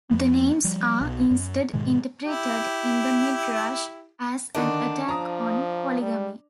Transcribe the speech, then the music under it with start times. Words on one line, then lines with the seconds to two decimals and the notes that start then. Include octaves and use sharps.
The names are instead interpreted in the Midrash as an attack on polygamy.
0.11 F2 F3 B3
0.64 F3 G3
1.01 B1 B2
1.31 F#2
1.73 G#2 B2 D#3 G#3
2.25 E4 G4
4.55 D3 D#3 D4 D#4
5.08 F3 A#5 D#6
6.02 G3